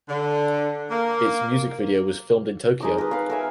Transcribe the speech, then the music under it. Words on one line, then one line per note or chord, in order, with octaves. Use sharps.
Its music video was filmed in Tokyo.
D3
A#3
G#3 D#4 D6
A#4 B4
B4 F5
A#4 E5 G#5